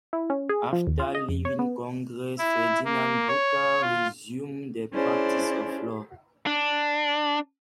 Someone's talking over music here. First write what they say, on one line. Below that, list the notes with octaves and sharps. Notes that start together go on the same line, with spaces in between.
After leaving Congress, Ferdinand Brucker resumed the practice of law.
E4
C#4
G#4
F3
D#2
F4
D#5
F2
C#5
B3
E4
A#3
C#5
F4
C#4 D4 E4 G#4 C5 D5
D4